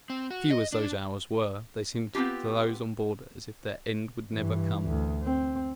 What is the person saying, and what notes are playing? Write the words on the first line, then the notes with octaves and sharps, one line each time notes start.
Few as those hours were, they seemed to those on board as if their end would never come.
C4
F#4
D#5
D4
B3 C4 D#4 F4 G4
G2 E3
D2
C4